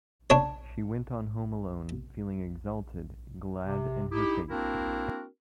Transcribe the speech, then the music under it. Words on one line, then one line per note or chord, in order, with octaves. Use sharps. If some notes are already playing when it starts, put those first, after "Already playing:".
She went on home alone, feeling exalted, glad in her faith.
D4 C#5
C3
D#4 E4 G4
A#3 C4 D4 E4 F#4 A#4